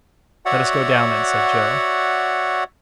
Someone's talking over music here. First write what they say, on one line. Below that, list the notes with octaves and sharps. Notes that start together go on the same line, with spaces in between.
"Let us go down, then!" said Joe.
F#4 C#5 D5 E5 F#5